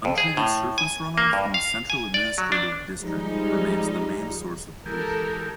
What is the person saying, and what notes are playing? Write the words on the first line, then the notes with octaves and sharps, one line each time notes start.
Untreated surface runoff in the Central Administrative District remains the main source of pollution.
F2
G#4
A2
G#5
A#3
G2
F5
G#5
D5
F#3
D4
F3 G3 G#3 D#4
E3 G#3 G4 A4 A#4